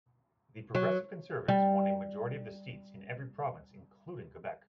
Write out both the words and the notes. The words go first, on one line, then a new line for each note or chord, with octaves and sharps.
The Progressive Conservatives won a majority of the seats in every province, including Quebec.
F#3
G3